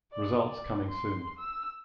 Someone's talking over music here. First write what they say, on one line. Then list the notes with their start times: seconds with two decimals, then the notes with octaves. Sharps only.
Results coming soon.
0.12 D5
0.46 D5
0.88 C6
1.38 E6